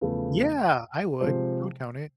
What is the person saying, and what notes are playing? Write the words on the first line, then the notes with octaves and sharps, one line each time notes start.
Yeah, I would, I would count it.
E2 C#3 F3 A3 B4
C3 F3 G#3 C5